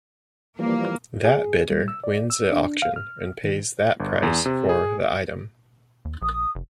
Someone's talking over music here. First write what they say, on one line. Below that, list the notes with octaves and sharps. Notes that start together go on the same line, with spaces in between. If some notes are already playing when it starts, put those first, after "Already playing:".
That bidder wins the auction and pays that price for the item.
E3 F3 G3 A#3
G#4
G3
E6
D5
E6
D4
F5
F6
D#3
G1
E2
C3
G#4
D#2
A#1 D#6
F1